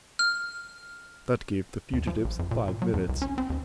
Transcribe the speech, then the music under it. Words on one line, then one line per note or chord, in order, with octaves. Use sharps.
That gave the fugitives five minutes.
F6
D#2
F3
A#1
F2
A#2
A#2
F#3
E2
C2
C#4
C4
D#2